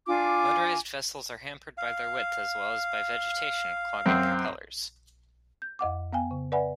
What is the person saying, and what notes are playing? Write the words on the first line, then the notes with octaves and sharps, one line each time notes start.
Motorised vessels are hampered by their width as well as by vegetation clogging propellers.
D4 F4 G#5 D6
F5
F#2 C4
G6
F2 D#5 F#5 D6
B3 F5 G5 G#5
C#3
B4 D5 E5 F#5 G#5 B5